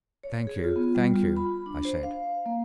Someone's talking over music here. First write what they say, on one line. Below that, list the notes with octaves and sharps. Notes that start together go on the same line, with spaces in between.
"Thank you, thank you," I said.
C#5
G#4
F4
B3
G3
F4
B5
D4
C5
F5
A#3